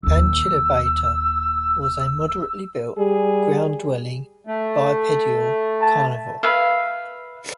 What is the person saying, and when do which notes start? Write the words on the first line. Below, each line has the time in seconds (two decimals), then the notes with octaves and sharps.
"Achillobator" was a moderately-built, ground-dwelling, bipedal carnivore.
0.03 D#1 D#2 E6
2.98 G3 G#4
4.47 A3
5.81 A5
6.43 B4 E5 F5